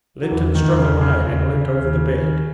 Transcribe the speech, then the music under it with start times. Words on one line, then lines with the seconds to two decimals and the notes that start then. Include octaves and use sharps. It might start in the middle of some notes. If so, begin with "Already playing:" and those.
Lynton struck a light and leant over the bed.
0.22 F#3
0.31 E2 E3
0.55 D#3
0.63 E2
0.78 C#3
0.93 E2
1.01 C#3
1.24 D#2
1.54 D#2
1.85 D#3
2.14 D#3